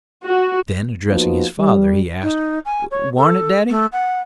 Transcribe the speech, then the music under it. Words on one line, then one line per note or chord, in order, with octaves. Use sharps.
Then addressing his father, he asked, "War'n't it, daddy?"
F#4
F3 A#3 B3 D#4 F4 F#4
G3
D#4
G#5
C#5
A4
A3
F#5